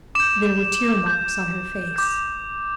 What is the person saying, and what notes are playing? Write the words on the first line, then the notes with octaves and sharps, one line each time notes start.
There were tear-marks on her face.
D6 G6 E7
D6 G6
D6 G6